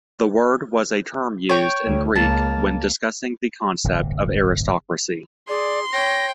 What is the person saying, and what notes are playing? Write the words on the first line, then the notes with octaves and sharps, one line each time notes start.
The word was a term used in Greek when discussing the concept of aristocracy.
C#5 G5
D2
C#2 A#3 A5
D1 G1 C3
G#4 D5 C6
C#5 G5 A#6